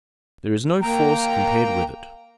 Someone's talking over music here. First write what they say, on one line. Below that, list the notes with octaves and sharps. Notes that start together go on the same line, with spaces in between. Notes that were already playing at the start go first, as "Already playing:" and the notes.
There is no force compared with it.
A#3 G5 A#5